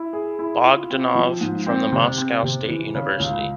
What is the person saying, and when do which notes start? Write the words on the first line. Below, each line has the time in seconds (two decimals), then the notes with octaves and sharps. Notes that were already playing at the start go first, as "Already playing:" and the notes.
Bogdanov, from the Moscow State University.
Already playing: E4
0.13 G#4
0.39 E4
0.64 F4
0.90 C4
1.15 F3
1.41 G#2
1.66 C4
1.92 C3
2.18 C4
2.43 C3
2.69 E3
2.95 C#3
3.20 C#2